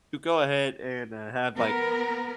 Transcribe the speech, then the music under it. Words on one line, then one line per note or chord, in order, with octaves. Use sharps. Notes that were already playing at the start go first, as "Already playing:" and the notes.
You go ahead and, uh, have, like
B3 A#4